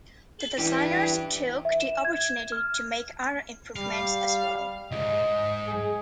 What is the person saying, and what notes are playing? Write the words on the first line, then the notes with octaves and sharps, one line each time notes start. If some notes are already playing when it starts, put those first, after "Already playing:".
The designers took the opportunity to make other improvements as well.
E3 D4 G4
E5
E7
G#6
F6
G3 F5
C#2 G#2 D#5
G#4